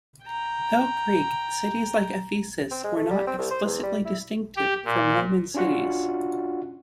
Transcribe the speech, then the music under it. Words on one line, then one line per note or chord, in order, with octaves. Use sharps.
Though Greek, cities like Ephesus were not explicitly distinctive from Roman cities.
G5 A#5
C4
G#3
A3
G3
C4
C2
C5
E2
G3
E4
G4
A#2
C#4 D4 F4 F#4 F#5